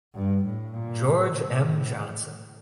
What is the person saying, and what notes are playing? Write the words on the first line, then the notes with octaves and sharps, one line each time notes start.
George M. Johnson.
G2
A2
A#2
A2